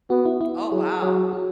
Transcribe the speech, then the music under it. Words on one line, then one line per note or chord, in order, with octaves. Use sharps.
Oh, wow.
B3 F#4
E4
E4
F#3 G#4
F#3 G#4
F#4